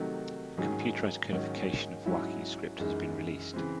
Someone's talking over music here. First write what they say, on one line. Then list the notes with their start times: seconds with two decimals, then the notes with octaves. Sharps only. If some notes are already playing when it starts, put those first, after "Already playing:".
A computerized codification of Wakhi script has been released.
Already playing: C3 D#3 F#3 A3 D#4
0.57 G#2 D#3 F#3 C#4 G#4
1.32 G#2 D#3 F#3 C#4 G#4
2.06 G#2 F#3 C#4 E4
2.79 F#2 E3 G#3 D#4 G#4
3.54 C#3 E3 C4